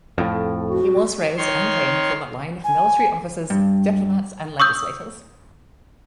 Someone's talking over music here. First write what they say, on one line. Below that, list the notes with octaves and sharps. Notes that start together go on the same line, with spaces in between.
He was raised and came from a line of military officers, diplomats, and legislators.
F2 A2
F#4
D#3 C#5 C6
G#5
G2
C#6 D#6 E6 G6